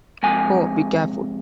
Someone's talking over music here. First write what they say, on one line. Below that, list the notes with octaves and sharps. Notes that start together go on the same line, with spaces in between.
Oh, be careful.
C3 F3 G#3 G#5